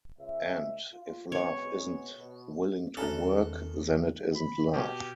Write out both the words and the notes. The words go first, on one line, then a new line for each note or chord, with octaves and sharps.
And if love isn't willing to work, then it isn't love.
C#2 G#3 E5
F4
B1 G#3 B3 C#5
B2
E2 D#3 E3 C#4 A4 A#5 F6 F#6
B5
B2 G4